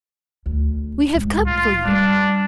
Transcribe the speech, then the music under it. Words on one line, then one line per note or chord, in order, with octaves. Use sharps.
"We have come for you."
D2
C#2 A2
A2 F4
G3 C#4 D4